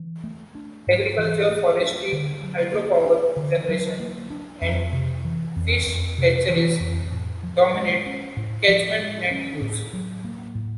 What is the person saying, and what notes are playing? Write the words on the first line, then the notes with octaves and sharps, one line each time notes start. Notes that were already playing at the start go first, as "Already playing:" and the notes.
Agriculture, forestry, hydropower generation and fish hatcheries dominate catchment land use.
Already playing: E3
A3
D4
G#2
E3
A3
D4
D3
F#3
A#3
D4
D3
F#3
A#3
D4
F2
C3
E3
F2
F2
C3
E3
F2
A2
F3
G#3
C#4
A2
F3
G#3
C#4
A2
F#3
A#3
A2